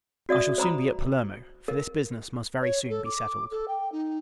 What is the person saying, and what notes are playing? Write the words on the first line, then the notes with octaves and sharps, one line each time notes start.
I shall soon be at Palermo; for this business must very soon be settled.
F#4 D5 E5 D#6
C5 A#5 B5 D#6
A#4
C#5
A4
D6
A4
G5
D#4